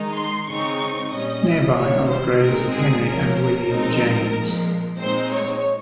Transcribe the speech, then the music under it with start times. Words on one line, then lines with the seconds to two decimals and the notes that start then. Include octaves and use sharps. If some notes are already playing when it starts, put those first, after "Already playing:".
Nearby are the graves of Henry and William James.
Already playing: D#3 G#3 D#4
0.15 C6
0.48 C#3 G#3 C4 D#4 C#6
1.12 A#2 G3 C#4 D#5
1.76 D#3 G3 A#3 C#5
2.09 C5
2.41 A#2 G#3 C4 D#4 A#4
2.74 G#4
3.06 F3 A#3 C#4 A#4
3.38 A#4
3.70 F3 G#3 C4 D#4
4.34 A#2 F3 G#3
5.00 A#2 G#3 C4 D#4 C5
5.32 C#5